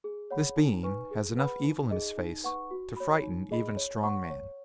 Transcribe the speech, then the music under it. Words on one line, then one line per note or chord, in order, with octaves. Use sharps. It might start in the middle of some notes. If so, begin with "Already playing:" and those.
This being has enough evil in his face to frighten even a strong man.
G#4
C#5 F#5 B5
D#4
B4 G#5 C#6
G#4
B4 F#5 B5
D#4
G#4 D#5
D#4
B4 F#5 C#6
F#4
C#5 B5
D#4
G#4 D#5 B5
C#5
F#5 C#6
C#5